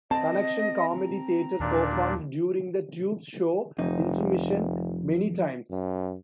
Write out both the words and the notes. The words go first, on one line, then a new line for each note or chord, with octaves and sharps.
Connection Comedy Theatre performed during the Tubes show intermission many times.
C4 D#5 A5
A#5
D#2 A#2 D4
F1 F2 D#4
F#2